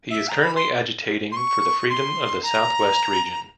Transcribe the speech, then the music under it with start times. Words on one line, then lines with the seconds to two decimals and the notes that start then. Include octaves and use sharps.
He is currently agitating for the freedom of the south west region.
0.10 E5
0.28 A#5
0.42 B5
0.55 C6
1.31 C6
1.36 C#6
1.89 C6
2.43 A#5